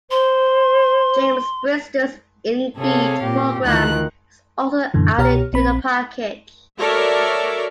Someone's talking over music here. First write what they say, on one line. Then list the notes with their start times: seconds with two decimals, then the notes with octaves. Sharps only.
James Brister's "innfeed" program was also added to the package.
0.11 C5 C6
2.77 C3 G#4 A4 C#5 F5
3.21 A#2 C4 G4
3.63 D2 D#3 E3 F4 A#4 F#6
4.94 F#2 A#2 D3 E3
5.18 C2 B2 G4 C#5 A#5 F6
5.53 A#1 C4 B5
6.79 F#4 A4 A#4 C#5 D5 E5